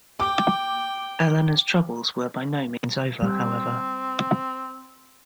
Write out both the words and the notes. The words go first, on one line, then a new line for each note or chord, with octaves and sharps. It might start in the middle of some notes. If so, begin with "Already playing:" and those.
Eleanor's troubles were by no means over, however.
G5 D6
G3 C4